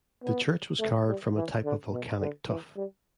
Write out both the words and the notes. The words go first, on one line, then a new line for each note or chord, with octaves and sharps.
The church was carved from a type of volcanic tuff.
B3
A3
G3
E3
D3
B2
D3
E3
G3